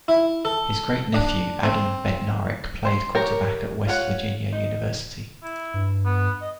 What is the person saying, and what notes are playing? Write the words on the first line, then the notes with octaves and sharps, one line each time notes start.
His great-nephew, Adam Bednarik, played quarterback at West Virginia University.
E4
A4
D4
C4
C5
G4 A#4 C#5
F4 C#5 F#5
D#4
E4
G2
B3
D#5